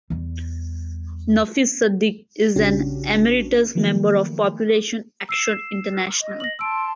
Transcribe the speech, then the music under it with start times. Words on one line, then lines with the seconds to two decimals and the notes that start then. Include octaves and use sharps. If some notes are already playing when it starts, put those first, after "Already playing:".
Nafis Sadik is an Emeritus Member of Population Action International.
0.10 E2 G3
2.56 A#1 C#3 C#4 D4 F#4 G4
3.75 D#3 F3 F#3 A3 A#3
5.29 E6 C7 E7
6.21 D#5
6.40 A#6 F#7
6.59 A5 C6 E6 D7